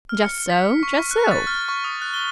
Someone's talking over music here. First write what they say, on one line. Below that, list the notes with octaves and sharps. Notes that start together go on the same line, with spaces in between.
'Just so, just so.
F6
C#7
B6
C#6
F#6
A6
F6
C#6
D#6
F#6
G7